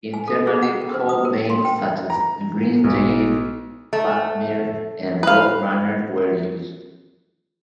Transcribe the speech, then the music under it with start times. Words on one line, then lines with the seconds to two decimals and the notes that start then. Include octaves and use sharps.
Internally, code names such as Green Jade, Fafnir, and Roadrunner were used.
0.14 G#5
0.28 A4
0.47 G#4
0.62 F#5
0.82 C#4
0.94 C5
1.09 D#6
1.25 A#4
1.50 C6
1.65 G5
2.10 A#5
2.84 B1
3.93 A3
5.23 B4 F5